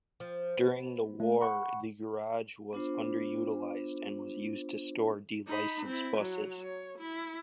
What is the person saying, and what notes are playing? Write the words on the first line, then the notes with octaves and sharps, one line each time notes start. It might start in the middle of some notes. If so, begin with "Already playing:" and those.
During the war the garage was underutilised and was used to store de-licensed buses.
F3
B3
A3
F#5 B5 C#6
B3 D4 F4 C5
D#4 B5
C4 E4
F#3
C#5
E4